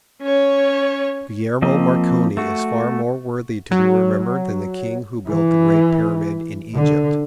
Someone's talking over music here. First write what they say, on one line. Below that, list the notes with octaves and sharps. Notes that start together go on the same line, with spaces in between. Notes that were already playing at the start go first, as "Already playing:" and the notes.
Guglielmo Marconi is far more worthy to be remembered than the king who built the great Pyramid in Egypt.
C#4 C#5
F3 A#3 C4 D#5
A3 F#4
F#3
E3
D3